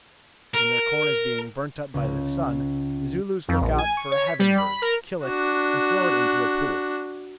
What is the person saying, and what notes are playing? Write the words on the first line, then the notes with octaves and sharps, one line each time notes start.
When their corn is being burnt up by the sun, the Zulus look out for a "heaven bird," kill it, and throw it into a pool.
A#4
C#2
F2
A#1
G#5
C#6
C#5
B6
G3
B5
A#4
D4 F#4